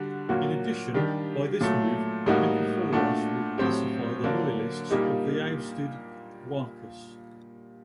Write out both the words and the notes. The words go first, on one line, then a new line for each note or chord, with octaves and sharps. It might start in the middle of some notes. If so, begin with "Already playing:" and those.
In addition, by this move Nikephoros would pacify the loyalists of the ousted Doukas.
Already playing: D3 G3 D4 F#4
A#2 F#3 A#3 F#4
D#3 G3 D4 G4
A#2 F#3 A3
A2 G3 A#3 D#4 F#4
A#2 A3 D4 F#4
A2 F#3 C4 G4
D3 F#3 A#3 D4
A#2 G3 A#3 D#4 G4